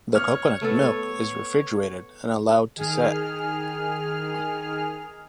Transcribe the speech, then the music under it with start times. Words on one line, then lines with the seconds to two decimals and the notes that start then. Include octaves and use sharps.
The coconut milk is refrigerated and allowed to set.
0.15 C#5 F6
0.61 A3 B3 A4
2.77 D#3 G#4 F6